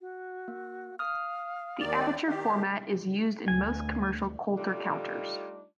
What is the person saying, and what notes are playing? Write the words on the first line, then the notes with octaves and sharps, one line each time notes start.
The aperture format is used in most commercial Coulter counters.
F#4
A#3
F5 D#6 F6
D#2 D#3 D5
D#3 G4 D5 F5
D2 G#5
G3 A3 D4 D#4 F4